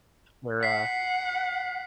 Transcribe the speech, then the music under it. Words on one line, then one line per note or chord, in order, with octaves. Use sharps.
where, uh
F#5 B6 C7